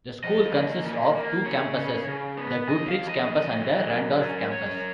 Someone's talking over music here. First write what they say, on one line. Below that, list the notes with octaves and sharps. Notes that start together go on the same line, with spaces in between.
The school consists of two campuses: the Goodrich Campus and the Randolph Campus.
F3 D#5
A#3
A#2
A#3
C#3 C#5
C#3
C#3
B3
F2 D#5
F5
F2
D#5
F#3
F#3
F#2
C#4
F#2 C#5